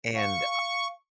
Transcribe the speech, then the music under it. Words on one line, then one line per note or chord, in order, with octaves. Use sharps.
And, uh,
F5 C#6